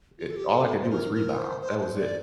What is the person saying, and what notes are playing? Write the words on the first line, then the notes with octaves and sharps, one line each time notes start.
Eh, all I could do was rebound. That was it.
F4
A4
G4
A4
C5
A#4
A#4
C5
C5
C5
D5